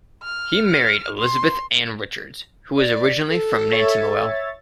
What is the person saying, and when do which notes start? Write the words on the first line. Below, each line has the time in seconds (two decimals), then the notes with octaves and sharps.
He married Elizabeth Ann Richards, who was originally from Nantymoel.
0.23 F6
1.19 C6
2.77 D5
3.29 A4
3.72 C#5 E5 A6